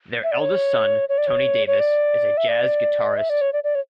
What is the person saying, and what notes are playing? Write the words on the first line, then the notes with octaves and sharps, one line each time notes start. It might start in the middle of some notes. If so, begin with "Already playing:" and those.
Their eldest son, Tony Davis, is a jazz guitarist.
E5
D5
C#5
C#5
D5
C#5
C#5
D5
E5
D5
E5
D5
C#5
D5
D5
C#5